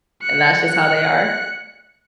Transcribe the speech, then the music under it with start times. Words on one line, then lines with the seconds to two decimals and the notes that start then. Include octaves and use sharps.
and that's just how they are.
0.23 F#6 C#7